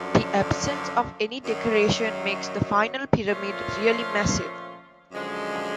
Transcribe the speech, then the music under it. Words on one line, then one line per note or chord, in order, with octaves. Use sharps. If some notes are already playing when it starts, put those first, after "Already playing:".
The absence of any decoration makes the final pyramid really massive.
Already playing: F#2 D3 F3
F#2 D#3 F#3
A#2 F3 A3 C#4 F4
F#2 D3 F3 G#3